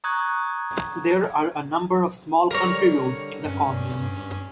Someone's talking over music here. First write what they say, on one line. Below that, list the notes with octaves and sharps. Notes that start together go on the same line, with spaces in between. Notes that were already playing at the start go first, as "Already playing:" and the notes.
There are a number of small country roads in the commune.
A#5 C#6 D#6 F#6 G#6
D3 G3 A#4 C#5
G2 C#4